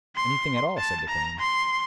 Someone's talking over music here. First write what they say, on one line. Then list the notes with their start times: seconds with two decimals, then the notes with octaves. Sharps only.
"Anything at all," said the queen.
0.16 C6
0.78 A5
1.09 A#5
1.39 C6